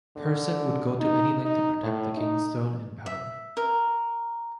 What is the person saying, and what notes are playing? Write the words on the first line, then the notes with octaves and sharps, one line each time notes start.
Persson would go to any length to protect the King's throne and power.
D3
D#4
D#4
A2
D#4
E5
A#4